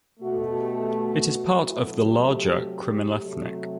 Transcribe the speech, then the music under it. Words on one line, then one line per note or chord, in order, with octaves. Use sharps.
It is a part of the larger CrimethInc.
B2 A3 F#4
G4
F#4
C3 F#3 A3 E4
G4
C3 F#3 A3